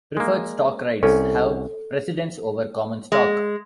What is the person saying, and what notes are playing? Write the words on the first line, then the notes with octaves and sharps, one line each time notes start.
Preferred stock rights have precedence over common stock.
G#3 A#3
C2 C#4 A4
G#3